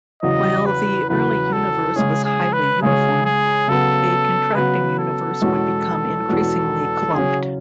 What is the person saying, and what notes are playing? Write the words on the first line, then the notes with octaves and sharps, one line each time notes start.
While the early universe was highly uniform, a contracting universe would become increasingly clumped.
E2 C#3 F#3 D#5
B4
E2 C#3 F#3 B4
A4
C#3 G#3 C#4 G#4
G#4
B4
C#3 G#3 C#4 G#4
G#4
C#3 F#3 B3 A4
C#3 F#3 B3 B4
A4
E2 B2 G#3 C#4 F#4
E2 B2 G#3 C#4 F#4
C#3 F#3 C#4 G#4